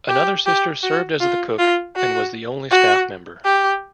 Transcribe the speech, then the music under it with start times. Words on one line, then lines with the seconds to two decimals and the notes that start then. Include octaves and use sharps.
Another sister served as the cook and was the only staff member.
0.09 G4
0.46 G4
0.83 F#4
1.20 F4
1.59 F4
1.96 F#4
2.71 F#4
3.45 G4